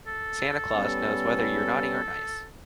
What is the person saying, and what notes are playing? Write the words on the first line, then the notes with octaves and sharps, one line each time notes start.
Santa Claus knows whether you're naughty or nice.
A4
G3 B3 C#4